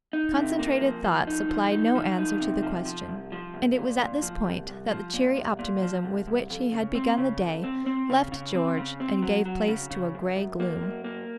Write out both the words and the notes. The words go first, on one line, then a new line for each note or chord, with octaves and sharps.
Concentrated thought supplied no answer to the question; and it was at this point that the cheery optimism with which he had begun the day left George and gave place to a grey gloom.
D#4
C3
A#3
F3
F3
D#4
F3
D#4
F3
D#4
C3
F3
F3
C2
F3
C2
A#2
A#2
F3
C2
C2
F3
A#2
C2
A#2
F3
C2
C2
F2
C#3
C4
C#3
F2
C4
C4
C#3
C#3
C4
C#3
C4
F#3
F#3
C#3
C#3
F#2
F#2
A#3
F#2
A#3